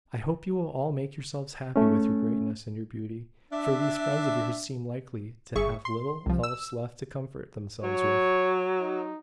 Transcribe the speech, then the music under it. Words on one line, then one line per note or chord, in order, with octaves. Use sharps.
"I hope you will all make yourselves happy with your greatness and your beauty: for these friends of yours seem likely to have little else left to comfort themselves with."
A3 C#4
D4 E5
G1 G#4 E5 C#6
C6
C2 F3
E6
F#3 C#5
D#4